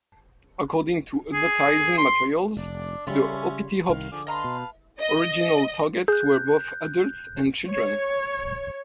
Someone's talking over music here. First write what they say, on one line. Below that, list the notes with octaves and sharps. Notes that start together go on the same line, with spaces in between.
According to advertising materials, the Hoppity Hop's original targets were both adults and children.
G#4
C6
F1 D4 D5
C#3 G3 C#4 F4 C#5 E5 B5
C2 D#3 F5
D3 F3 G#4 D6
B4 D#5 F5 A5 A#5 C6
B2
D#5
G#4 F#6 G6
C#5